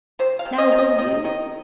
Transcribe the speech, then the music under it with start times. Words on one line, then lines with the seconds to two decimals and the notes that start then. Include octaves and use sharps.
Now, will you?'
0.19 C3 C5
0.39 F5
0.45 C3
0.58 D#5
0.72 C3
0.78 D#5
0.98 D#3 D#5
1.24 D#3 D#5